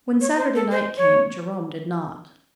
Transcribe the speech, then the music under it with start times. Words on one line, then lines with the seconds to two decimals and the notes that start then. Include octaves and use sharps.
When Saturday night came Jerome did not.
0.21 C#5
0.37 C5
0.55 A4
0.71 C5
0.97 C#5